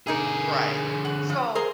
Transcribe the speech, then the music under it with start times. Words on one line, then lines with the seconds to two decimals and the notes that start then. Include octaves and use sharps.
Right. So
0.07 D3 A#3 D#4 G#4 A#4
1.05 F#5
1.30 F3
1.55 G#4 A#4 C5